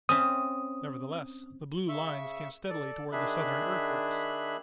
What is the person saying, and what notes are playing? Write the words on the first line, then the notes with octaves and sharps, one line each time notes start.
Nevertheless the blue lines came steadily toward the Southern earthworks.
C4 C#4 E5 D#6
C#3 E5 C#6 E6
A4 D5
D#3 D4 G#4 E5 B5 F#6